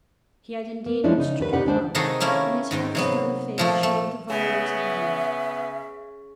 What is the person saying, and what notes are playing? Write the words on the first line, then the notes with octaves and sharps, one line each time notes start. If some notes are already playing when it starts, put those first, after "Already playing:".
He had indeed been stricken hard, and his half-stunned face showed the violence of the blow.
A#3
F3 G#3 C#4 D4 E4
C#3 D#4
D#2 D3 B4
C3 D#4 G4 B4 D5 F#5
D2 G#3 D4 C5
C3 D#3 D#4 F#4 G#4 A4
A3 A#3 C#4 E4
G#2 D#3 G5
C3 F#3 B3
A#2 F3 A3
A3
C#3 B3 E5